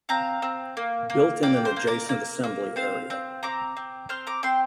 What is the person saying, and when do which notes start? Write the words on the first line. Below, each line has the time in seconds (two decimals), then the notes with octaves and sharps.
Built in an adjacent assembly area.
0.09 C4 F5 A#5
0.42 C4
0.77 A#3
1.10 A#3
1.43 A#3 D5 G5
1.65 C5
1.76 A#3
1.87 A#4 D5
2.09 A#3
2.44 A#3
2.76 C4 C5 F5
3.10 C4
3.43 C4 A#5 D6
3.77 C4
4.09 C4 C6 F6
4.27 A#5 D6
4.43 C4 G5 C6